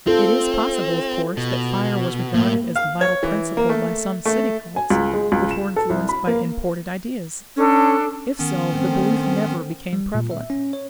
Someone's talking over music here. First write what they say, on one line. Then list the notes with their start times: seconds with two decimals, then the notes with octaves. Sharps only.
It is possible, of course, that fire was regarded as the vital principle by some city cults, which were influenced by imported ideas. If so, the belief never became prevalent.
0.07 C4 F4 A4
1.37 B2
2.34 A2 A#3
2.76 F5
3.01 C#5
3.23 E3
3.57 A#3
3.69 A3
4.25 A3
4.76 G#5
4.90 C#2
5.13 G#3
5.32 C#2
5.51 E7
5.76 A4
5.90 C2
6.09 B5
6.27 A#3
7.56 C#4 D4 A4
8.39 D#3 B3 C#4
8.74 A3 C4
9.93 G3
10.15 A#2
10.31 E5
10.50 C#4
10.73 C#5